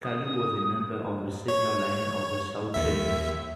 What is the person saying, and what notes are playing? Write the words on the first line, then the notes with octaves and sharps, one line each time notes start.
Khalid was a member of the senior line of the Saud family.
D#6
C#5
D#2 E5